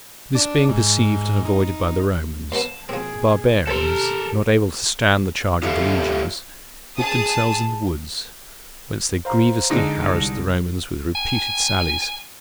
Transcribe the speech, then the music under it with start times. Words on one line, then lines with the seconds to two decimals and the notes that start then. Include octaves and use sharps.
This being perceived and avoided by the Romans, the barbarians, not able to stand the charge of the legions, hid themselves in the woods, whence they grievously harassed the Romans with repeated sallies.
0.35 D4
0.69 G#2
1.45 D#4
2.52 D#2 B3 F5 G5 A5
2.89 B2 F3 A#3 C4 G#4
3.67 A#1 G4 A4 A#4 C5
5.63 F4 G4 A4 C#5 E5 F5
6.96 G#4 A5 D#6
9.25 C5 F5 A#5
9.70 D3 G#3 D#4
10.07 C2 A#6
11.15 G#5